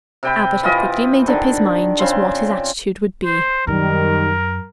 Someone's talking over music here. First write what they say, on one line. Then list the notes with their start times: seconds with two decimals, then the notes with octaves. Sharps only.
Mr. Abbott had quickly made up his mind just what his attitude would be.
0.23 C3 G5 B5
0.63 E3 F4 D#5
1.27 D3 D#3
2.00 C#3 C4 C6
3.25 C5
3.67 F#2 D#3 G3 A#4